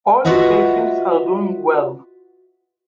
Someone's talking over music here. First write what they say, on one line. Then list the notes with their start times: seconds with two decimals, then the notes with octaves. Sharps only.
All the patients are doing well.
0.25 F4 F#4 B4 D#5 E5 F#5